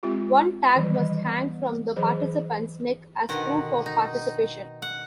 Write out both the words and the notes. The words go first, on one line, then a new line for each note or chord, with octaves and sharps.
One tag must hang from the participant's neck as proof of participation.
G#3 C4 F4 G4
D#3 E3 F#3 G3 D5
D#5
B3
E3 F#3 G#4 C5 D#5
B2 D3 D#3 F#5
D#4
F#5